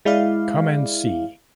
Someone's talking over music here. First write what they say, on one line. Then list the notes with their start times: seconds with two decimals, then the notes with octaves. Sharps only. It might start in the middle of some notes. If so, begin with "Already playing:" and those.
Come and see.
0.05 G#3 E4 D5 F5